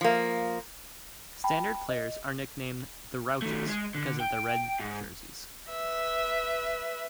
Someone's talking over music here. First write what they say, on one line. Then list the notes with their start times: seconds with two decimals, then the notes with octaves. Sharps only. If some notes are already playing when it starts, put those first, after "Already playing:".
Standard players are nicknamed the "Rouches" because of their red jerseys.
0.01 F3 A#3
1.44 G5 A5 B5
1.89 D#5
3.42 D#3 A3
3.68 G#3
3.95 D3
4.20 G5
4.79 G#2
5.69 B4 E5